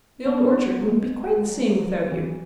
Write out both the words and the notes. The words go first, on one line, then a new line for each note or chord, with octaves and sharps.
The Old Orchard wouldn't be quite the same without you.
B3
F#3
G#3
G#3
F#3
E3